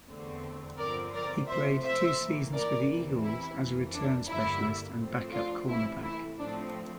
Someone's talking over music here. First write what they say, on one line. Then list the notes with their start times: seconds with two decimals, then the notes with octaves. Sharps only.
He played two seasons with the Eagles as a return specialist and backup cornerback.
0.09 E2 D3 A3 C4
0.78 G2 D3 F3 C4 A#4 D5
1.13 A#4 D5
1.48 C3 F3 A3 C5 E5
1.83 C5 E5
2.18 A2 E3 A#3
2.53 A#4 D5
2.89 E2 C3 E3
3.23 E4
3.58 F2 E3 A#3
3.94 D4
4.28 G2 D3 G3 A#3 E4
4.99 A2 F3 A3 C4
5.33 D4 F4
5.68 C3 E3 A3 E4
6.03 E4
6.38 A2 F3 A3 C4 D4